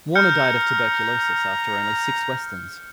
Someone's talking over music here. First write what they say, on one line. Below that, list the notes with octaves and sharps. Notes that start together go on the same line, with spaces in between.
Warner died of tuberculosis after only six Westerns.
A#5 F6 G6 C#7